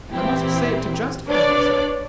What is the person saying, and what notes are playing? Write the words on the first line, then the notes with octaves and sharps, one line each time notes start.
I must say it to justify myself.
A#2 E3 C4 E4 G4
D4 B4 C#5 D5